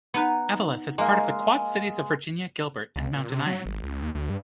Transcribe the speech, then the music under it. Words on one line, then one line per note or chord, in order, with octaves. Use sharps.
Eveleth is part of the Quad Cities of Virginia, Gilbert, and Mountain Iron.
B3 D#4 B4
G#3 A#3 F5
C#2
A#2
C3
F#3
G#1
C#2
D#2
D2
G2